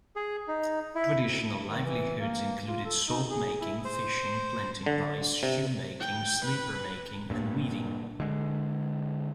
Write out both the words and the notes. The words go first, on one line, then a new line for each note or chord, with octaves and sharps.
Traditional livelihoods included salt-making, fishing, planting rice, shoemaking, slipper-making and weaving.
G#4
D#4
E4
D2
D#3
E3
A#3
F4
A4
D#4
G#4
E4
C5
D3
C3
G5
B4
G2 A#2
D3 G#3